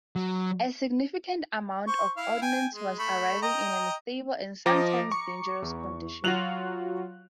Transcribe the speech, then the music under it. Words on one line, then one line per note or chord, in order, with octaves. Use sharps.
A significant amount of ordnance was arriving in an unstable, and sometimes dangerous, condition.
F#3
C5 C#6
E4 F5
G5 G#5
G#3
A3 B5
D#5 G5 A#5
F3 D#5 A#5 D6 A#6
C#6 C#7
E2
F#3 F4 F#4 F#6 F7 F#7